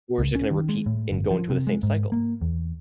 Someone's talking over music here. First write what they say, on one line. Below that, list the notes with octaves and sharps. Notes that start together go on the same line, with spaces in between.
or it's ju gonna repeat and go into the same cycle.
C#2
C#4
D#3
G#3
A2
G1
F3
C3
G#3
G#2
A#3
E2